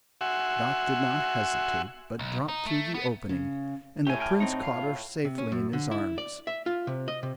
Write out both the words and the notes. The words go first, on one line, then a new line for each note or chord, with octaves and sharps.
Dot did not hesitate, but dropped through the opening, and the Prince caught her safely in his arms.
F#4 E5 F#5 G#5 C6
B1
D#4
A3
B3
C#3
A2 G4 G#5
G5 G#5 F6
C4 D#4
F4 F5
C3
C#4
F#2
D3
E4
D5
E5
F4
C3
D#5
C3